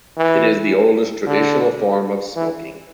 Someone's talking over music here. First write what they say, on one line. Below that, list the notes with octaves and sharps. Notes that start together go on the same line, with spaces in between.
It is the oldest traditional form of smoking.
E3
D3
E3